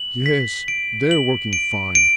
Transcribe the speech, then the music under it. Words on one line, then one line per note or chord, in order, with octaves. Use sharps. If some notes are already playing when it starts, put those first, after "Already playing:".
Yes, they're working fine.
Already playing: F#7
B6
D7
F#7
D7
D7